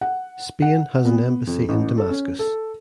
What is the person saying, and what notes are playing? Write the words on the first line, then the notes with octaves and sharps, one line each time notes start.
Spain has an embassy in Damascus.
F#5
F#5
B3
F2
A1
A4
C#4
A4